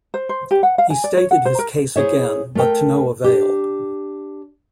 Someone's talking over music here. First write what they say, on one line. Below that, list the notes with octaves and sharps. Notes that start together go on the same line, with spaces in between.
He stated his case again, but to no avail.
C5
C5
G4
F#5
F5
G#5
D5
C#5
F#5
C5
A#4
E4 G#4 C5 C#5 E5
A3 A#4 G5
D4 G4